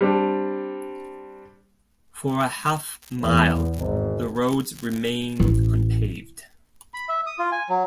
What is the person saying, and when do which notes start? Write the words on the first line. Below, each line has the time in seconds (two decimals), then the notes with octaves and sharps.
For a half mile, the roads remains unpaved.
0.01 G3 C4 D4
3.22 E2
3.80 G#1
5.40 A1
6.94 B5
7.09 E5
7.26 D#6
7.39 F4
7.52 G#5
7.69 F#3